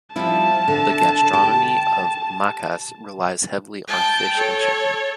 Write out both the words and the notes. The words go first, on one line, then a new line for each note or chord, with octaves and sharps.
The gastronomy of Macas relies heavily on fish and chicken.
F3 G3 E4 A5
D3
G4
G5 A5
A4 C#5